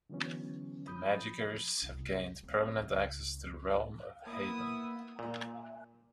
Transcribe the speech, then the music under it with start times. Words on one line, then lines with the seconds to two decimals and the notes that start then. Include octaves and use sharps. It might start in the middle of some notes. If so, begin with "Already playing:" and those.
The Magickers have gained permanent access to the realm of Haven.
0.09 D3 E3 F#3 B3 C#4
0.87 F3 B5 D#6 G6
1.82 C2
2.43 C4
2.78 C#2
4.27 A#3 B3 E4 D#6
5.19 A#2